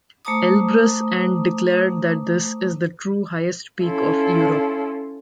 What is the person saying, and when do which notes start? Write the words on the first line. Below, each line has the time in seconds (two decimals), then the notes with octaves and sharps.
Elbrus and declared that this is the true highest peak of Europe.
0.25 A3 C5 A5 A#5 D6 D#6
3.83 C#4 E4 F4 A4